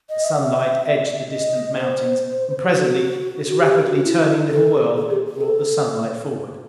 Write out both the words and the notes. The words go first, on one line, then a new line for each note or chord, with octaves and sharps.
The sunlight edged the distant mountains; and presently this rapidly turning little world brought the sunlight forward.
D#5
E5
D#5
C5
F#4
F#4
G4
F#4
E4
A4
G#4
G4
G#4
A4